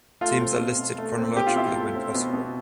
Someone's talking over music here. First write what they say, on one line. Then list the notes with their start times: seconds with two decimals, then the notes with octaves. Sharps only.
Teams are listed chronologically when possible.
0.21 A3 F4
0.40 C4
0.60 B2
0.79 B2
0.98 A3
1.18 C4
1.36 B2 G4
1.47 F4
1.56 B2 E4
1.67 F4
1.75 A3
1.95 C4
2.14 B2
2.33 B2